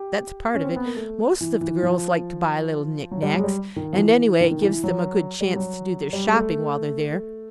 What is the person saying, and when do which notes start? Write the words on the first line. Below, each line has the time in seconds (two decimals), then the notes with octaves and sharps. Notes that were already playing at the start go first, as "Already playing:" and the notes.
That's part of it. Most of the girls like to buy little knick-knacks, and anyway it gives them a good chance to do their shopping while they're there.
Already playing: G4
0.55 C#4
0.64 C4
0.76 B3
0.86 A#3
0.97 A3
1.41 E3
1.61 E3
1.83 F3
3.11 F#3
3.22 G3
3.34 F#3 G#3
3.44 G3
3.76 D#3
3.93 F3
3.98 E3
4.41 D#3
4.51 D#3
4.62 E3
4.73 E3
4.84 F#3
5.41 G3
5.56 F#3
6.13 G3
6.28 G#3
6.34 A3